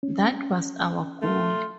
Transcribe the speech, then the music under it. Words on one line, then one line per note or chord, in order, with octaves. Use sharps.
That was our goal.
C#4
A3 F4